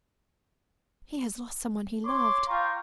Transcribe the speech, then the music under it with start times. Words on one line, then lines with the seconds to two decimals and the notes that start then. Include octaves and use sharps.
'He has lost someone he loved.
2.05 C#5 C6 D6
2.47 F4 F5 G5 A#5 C#6